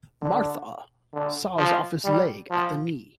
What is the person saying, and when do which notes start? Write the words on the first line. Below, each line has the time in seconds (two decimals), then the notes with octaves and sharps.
Martha saws off his leg at the knee.
0.22 D3
1.13 D3
1.58 F3
2.04 G3
2.50 F3